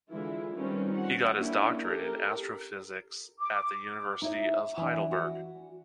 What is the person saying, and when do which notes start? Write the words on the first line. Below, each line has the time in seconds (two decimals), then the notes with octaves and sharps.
He got his doctorate in Astrophysics at the University of Heidelberg.
0.11 D3 E3 G#3 E4 F4
0.56 D#3 G3 C4 C#4 F4 B4
0.96 F#5
1.36 A#3 C#4 D4 E4 G4
1.83 G4 A4 A#4
3.39 D6
4.22 D#4 E4 C#5
4.77 E3 D4
5.11 F#4